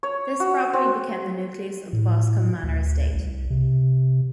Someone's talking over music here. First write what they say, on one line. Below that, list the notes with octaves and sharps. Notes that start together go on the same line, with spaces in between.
This property became the nucleus of the Boscombe Manor Estate.
C#5
F#4
C4
A2
D2
C2
C3